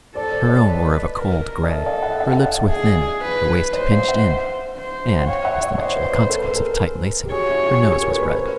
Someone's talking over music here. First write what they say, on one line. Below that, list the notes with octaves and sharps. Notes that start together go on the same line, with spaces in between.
Her own were of a cold grey, her lips were thin, her waist pinched in, and--as the natural consequence of tight lacing--her nose was red.
A4 C5 D5
C5 D5
C#5 D#5
B4
A#4
D#5
A4 D5 E5
D#5 F5
E5 F#5
E5 F#5
E5 F#5
D#5 F5
D5 E5
G#4
B4
C5 C#5 D#5
D#5 F5
E5 F#5
C5
F#5
C#5 F5 G5
E5 F#5
D5 E5
C5 C#5 D#5
B4 C#5
B4 C#5
A4 B4
A4
G#4 A#4
G4
F#4 G#4 C#5
E4 F#4
F4 G4
F#4 G#4
A#4
A4 B4
A4 B4
A#4 C5